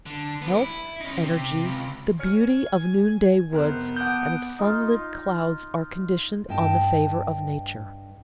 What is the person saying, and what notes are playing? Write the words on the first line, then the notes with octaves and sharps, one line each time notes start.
Health, energy, the beauty of noonday woods and of sunlit clouds are conditioned on the favor of nature.
D3
G3 B3
E4
C#4 D#4
C3
C#2
C#5 G#5 F6 C#7
F1 B3 A#4 C5 F#6
F#5 A5 D6 D#6 F#6 G6 D7
D#4 F4
G2 D#5 G5 A5